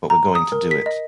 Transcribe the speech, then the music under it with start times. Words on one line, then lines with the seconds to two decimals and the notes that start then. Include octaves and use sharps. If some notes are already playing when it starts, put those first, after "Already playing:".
But we're going to do it.
0.10 A#5
0.35 D#6
0.52 A#4
0.71 B6
0.86 D#5